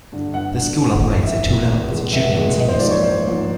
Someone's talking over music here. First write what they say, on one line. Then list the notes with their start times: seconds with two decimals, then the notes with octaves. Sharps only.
The school operates at two levels: junior and senior school.
0.12 G2 D3
0.34 G1 F#5
0.56 G2 D3
0.79 A1
1.01 A2 E3
1.23 A1 E5
1.46 A2 E3
1.68 F1
1.90 E2 B2 G#3
2.13 F1 E5
2.35 E2 B2 G#3
2.57 A1 D#5
2.69 C5
2.79 G#2 F3 A#3 D5
2.91 C#5
3.02 A1 C5
3.24 G#2 F3 A#3